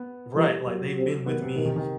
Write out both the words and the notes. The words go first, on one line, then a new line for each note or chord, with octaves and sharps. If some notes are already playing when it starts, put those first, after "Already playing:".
Right, like they've been with me
Already playing: B3
E3 G3
F#3
C3
D#3 B3
C3
C3 D#3
D#3
D#3